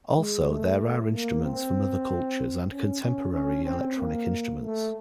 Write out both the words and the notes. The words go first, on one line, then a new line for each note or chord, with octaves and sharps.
Also, there are instruments from other cultures and contemporary electronic instruments.
G#3
A3
A#3
C4
C#4
C#4
C#4
C4
A#3
A3